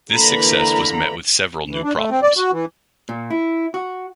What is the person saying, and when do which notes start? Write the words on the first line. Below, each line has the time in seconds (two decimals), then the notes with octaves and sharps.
This success was met with several new problems.
0.12 D3 E3 A#3 A#5 B5
1.71 E3
1.83 D4
1.97 A3
2.10 C4
2.23 D5
2.37 F#4
2.52 E3
3.09 A#2
3.30 E4
3.74 F#4